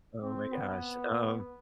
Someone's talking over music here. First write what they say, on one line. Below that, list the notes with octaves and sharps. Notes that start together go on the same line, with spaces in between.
Oh my gosh, um
C4
B3